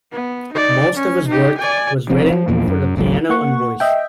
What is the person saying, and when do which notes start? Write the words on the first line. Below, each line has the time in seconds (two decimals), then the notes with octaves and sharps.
Most of his work was written for the piano and voice.
0.12 B3
0.53 D#4 D5
0.95 C#4
1.28 D#4 G4
1.58 D5 G#5
2.09 F1 F2 C4 C#4
2.30 F3
2.48 E2 A#2 F3
2.68 F#2
2.97 G#1 C#2 C3 F#3
3.29 A#3 F#5 C#6
3.80 D#5 E5 G5